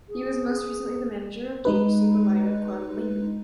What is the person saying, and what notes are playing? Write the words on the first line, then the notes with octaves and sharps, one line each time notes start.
He was most recently the manager of Danish Superliga club Lyngby.
G#4
G#3 D#4 B4